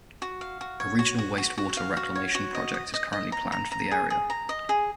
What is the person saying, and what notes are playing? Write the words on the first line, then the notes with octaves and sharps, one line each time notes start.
A regional wastewater reclamation project is currently planned for the area.
F#4
F5
F#4
C#5
F#4
F#4
F#4
F#4
F5
F#4
C#5
F#4
D#5
D#5
D#5
D#5
A#5
A#5
A#5
G#4
G#4
A#5
D#5
G#4